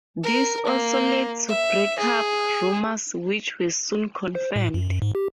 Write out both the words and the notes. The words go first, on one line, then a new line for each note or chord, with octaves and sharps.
This also led to break-up rumors, which were soon confirmed.
A#4
A#3
E5
G#4
C5
A2
F#2
F#2
G#2
G4